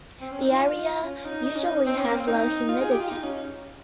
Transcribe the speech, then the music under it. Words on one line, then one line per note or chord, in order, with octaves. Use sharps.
The area usually has low humidity.
C4
C#4
D#4
F4
C#4
D#4
D#4
C#4
D#4
C4
C#4
A#3
C4
D#4
F4
G#4
G4
F4
D#4
C#4